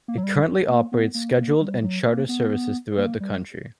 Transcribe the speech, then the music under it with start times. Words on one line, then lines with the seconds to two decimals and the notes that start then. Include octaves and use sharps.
It currently operates scheduled and charter services throughout the country.
0.08 A#3
0.18 F#3
0.23 G3
0.69 A#3
0.92 B3
1.14 A#3
1.37 A#3
1.61 G3
1.83 F#3
2.07 A#3
2.29 B3
2.97 A#3
3.20 G3